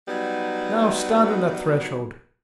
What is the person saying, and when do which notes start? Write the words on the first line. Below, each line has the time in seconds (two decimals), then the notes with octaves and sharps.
Now stand on that threshold.
0.07 F#3 G3 B3 D#4